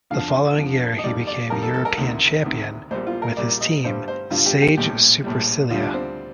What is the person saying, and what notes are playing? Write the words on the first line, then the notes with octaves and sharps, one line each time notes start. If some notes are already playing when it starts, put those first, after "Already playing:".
The following year he became European Champion with his team "Sage Supercilia".
F2 D3 F3 F5
F2 D3 F3
D#5
F2 D#3 G3 D5
D5
F2 D#3 G3 A#4
A4
A4
A#4
D2 C3 D#3
D2 C3 D#3
A#1 A#2 G3 C5
F4
A#4
A#1 A#2 G3 D5
D#5
G2 D3 G3 C5
C5
G2 D3 G3 F4
G4
G4
A#1 A2 G3 G4
A#1 A2 G3
D2 D3 G3 F4
D4
C4